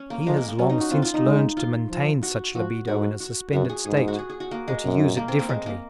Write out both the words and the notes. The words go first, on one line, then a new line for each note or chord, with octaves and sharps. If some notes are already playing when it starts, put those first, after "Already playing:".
He has long since learned to maintain such libido in a suspended state or to use it differently.
Already playing: C#4
A#3
F3 G#3
A#3
A#3
F#3 C#4
D#4
F#4
C4 F4
F4
D#4
G#3
F4
F3
F#4
F3 F#4
G#2 F#4
F#4
F#2 F#4
G#4
G#2 G#4
G#4
F#4
G#4
G#4
F#4
A#3
G#3
F#2
A#3
C4
A#3
G#3
A#3